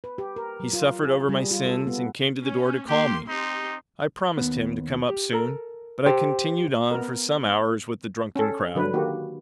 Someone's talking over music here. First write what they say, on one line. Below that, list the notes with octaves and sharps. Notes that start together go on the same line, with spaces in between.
He suffered over my sins and came to the door to call me. I promised him to come up soon, but I continued on for some hours with the drunken crowd.
B4
G4
A#4
F#3
F4
G#4
G3
F4
A4
B3
C#4
A#3 G4 C6
C4 D#4 G4 C6
D#2 B3
G4
A4 A#4 A#5
G4 C5
B3 A#4
C#4 A4
D3 F#3 B4
D#3 A#3 F#4 G4